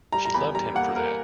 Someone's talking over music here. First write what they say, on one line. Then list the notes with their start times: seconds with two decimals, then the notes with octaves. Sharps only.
She loved him for that.
0.12 G3 A#5
0.25 A#5
0.34 E2 B5
0.54 G3 A#5
0.75 A#3 F#5
0.95 A#3 A#4